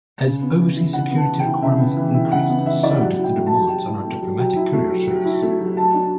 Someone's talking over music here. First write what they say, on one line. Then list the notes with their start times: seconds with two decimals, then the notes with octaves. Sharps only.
As overseas security requirements increased, so did the demands on our Diplomatic Courier Service.
0.25 C#3
0.42 B3
0.59 E3
0.76 E4
0.93 C#3 F#5
1.11 B3
1.16 A5
1.28 E3
1.40 G5
1.45 E4
1.62 C#3 E5
1.80 B3
1.97 E3
2.14 E4
2.32 C#3 F#5
2.49 B3
2.66 E3 E5
2.83 E4 D5
3.00 F#3 F#5
3.18 E4
3.24 G5
3.35 A3
3.47 A5
3.52 F#3
3.69 F#3 G5
3.87 E4
4.05 A3
4.22 F#3
4.39 F#3 G5
4.56 E4
4.73 A3
4.91 F#3
5.07 F#3
5.25 E4
5.42 A3
5.60 F#3
5.77 F#3 A5
5.94 D4